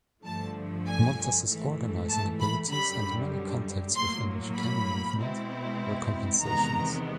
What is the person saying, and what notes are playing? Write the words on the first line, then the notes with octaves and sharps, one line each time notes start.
Montez' organizing abilities and many contacts within the Chicano Movement were compensations.
G2 D3 F3 A3 A5
G#5
G#2 E3 A3
A5
B5
F#2 D3 G3 B5
A2 F#3 A#3 C6
B5
B2 G#3 C4 E4
E2 C3 D#3 G#3 B3 A#5